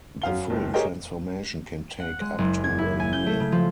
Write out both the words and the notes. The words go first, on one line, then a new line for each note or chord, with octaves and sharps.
The full transformation can take up to a year.
F#2 F5 G7
F#1 C#2
G4 G#4 A#4 C#5 D#5 G5
F#5
G#3
F#1
G#6
E4
G#5
G6
A3
C#3
F3